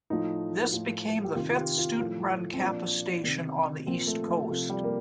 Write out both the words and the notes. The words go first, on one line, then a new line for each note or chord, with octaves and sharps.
This became the fifth student-run campus station on the east coast.
A2 F3 D#4
A2 F3
G4
C3 D#3 F4
F4
G4
F4
A2 F3
C4
A#2 F3 D4
C3 D#3
A#2 F3 C4
A3
A3
C3 F3 A3
G3
A#3